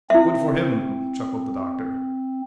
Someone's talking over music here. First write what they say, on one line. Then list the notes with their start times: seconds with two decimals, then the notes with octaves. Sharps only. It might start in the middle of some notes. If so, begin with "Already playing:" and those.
"Good for him," chuckled the Doctor.
0.10 C4 E4 E5